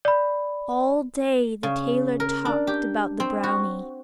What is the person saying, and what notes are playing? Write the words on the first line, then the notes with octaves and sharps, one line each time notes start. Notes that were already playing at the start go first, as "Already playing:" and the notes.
All day the tailor talked about the brownie.
D5 B5
C#3
A#4
D4
G4
C4
F#4